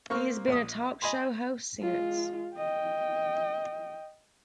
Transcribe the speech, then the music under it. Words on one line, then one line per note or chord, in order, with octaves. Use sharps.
He has been a talk show host since.
A#3 C4 C#6 F6
A#1 D#6
D#5 G#5 B5 C6
G#3 F4
D#5 G5